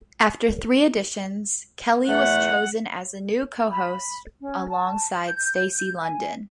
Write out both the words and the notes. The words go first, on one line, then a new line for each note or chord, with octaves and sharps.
After three auditions, Kelly was chosen as the new co-host, alongside Stacy London.
E2 A3 F#5
B5
C#4
A5
G6
G#5